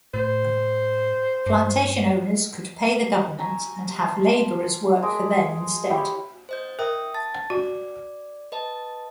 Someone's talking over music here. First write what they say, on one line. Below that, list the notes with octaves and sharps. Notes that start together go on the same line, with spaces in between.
Plantation owners could pay the government and have laborers work for them instead.
A2 C5
G2
G#5 A#5 C#6 E6
A5 C6 E6
G#3 A#4 D6
E4 G4 C#5
C5 D#5 G6
A#4 E5 G5 D#6
A5 A6
F#4 D5
B4 D#5 A5